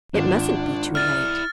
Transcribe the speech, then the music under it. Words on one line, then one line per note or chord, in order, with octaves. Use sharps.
It mustn't be too late!
G#1 D4 F4
E4 D5 F6 A6